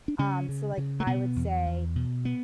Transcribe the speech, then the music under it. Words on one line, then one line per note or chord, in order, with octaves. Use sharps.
Um, so like, I would say
D4
C#3 C#4
C#3
C#3
A3
B2 B3
E2
E2
B2
B3